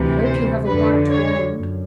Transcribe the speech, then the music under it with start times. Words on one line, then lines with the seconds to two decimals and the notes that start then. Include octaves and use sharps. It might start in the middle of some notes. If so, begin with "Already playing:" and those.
I hope you have a white wand.'
Already playing: D2 C3 E3
0.24 C5
0.67 F2 D3 B4
1.09 C#5
1.52 F#2